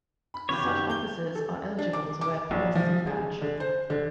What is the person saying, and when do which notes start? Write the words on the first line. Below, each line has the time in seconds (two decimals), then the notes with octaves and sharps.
Such officers are eligible to wear 'psc' badge.
0.34 B5
0.49 B1 C#3 E3 G4 C#5
0.62 F#2 D#3
0.90 G6 G7
1.35 A4
1.78 D4
1.93 D6
2.21 D6
2.51 A#1
2.75 F3
3.07 G#3
3.42 D3
3.60 C5
3.90 D3